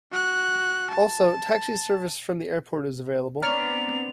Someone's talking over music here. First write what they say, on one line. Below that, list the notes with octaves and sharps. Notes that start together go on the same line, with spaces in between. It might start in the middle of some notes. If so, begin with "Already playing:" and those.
Also taxi service from the airport is available.
F#4 F#6
A5
B3 C4 D4 C#5 D5 A#5 F6 F7